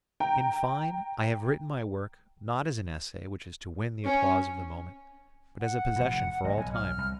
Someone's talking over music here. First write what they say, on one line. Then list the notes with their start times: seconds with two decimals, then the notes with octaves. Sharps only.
In fine, I have written my work, not as an essay which is to win the applause of the moment, but as a possession for all time.
0.20 G5 A#5
4.06 C#4
5.61 F#5
5.96 F1 A2
6.44 A1 G#2 D#5
6.57 B1 G#5
6.73 F6
6.98 C2